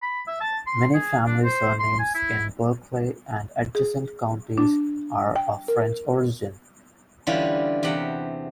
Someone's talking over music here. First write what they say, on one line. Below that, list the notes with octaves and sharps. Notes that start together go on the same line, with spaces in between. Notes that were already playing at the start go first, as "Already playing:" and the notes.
Many family surnames in Berkeley and adjacent counties are of French origin.
B5
E5
A5
C6
G#4
D4
C5
C6
G#5
E4
G#4
D4
G5
A#4
D3 E3 G3 C#4 E4 F4
E2 C3 G4 F#5 G5